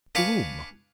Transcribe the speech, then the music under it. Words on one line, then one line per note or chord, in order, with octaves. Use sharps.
"To whom?"
D4 B4 F5 G#5 C#6 D6